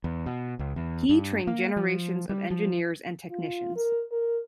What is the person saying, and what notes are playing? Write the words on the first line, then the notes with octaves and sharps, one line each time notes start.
He trained generations of engineers and technicians.
E2
B2
C#2
E2
G2
A#3
F3
G3
F3
F4
A#4
A#4